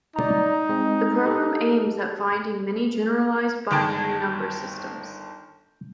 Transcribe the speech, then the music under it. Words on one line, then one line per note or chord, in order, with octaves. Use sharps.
The program aims at finding many generalized binary number systems.
D#4 D5 A#5
G#3 C4
G4 A4
G1 D#3 G5 A5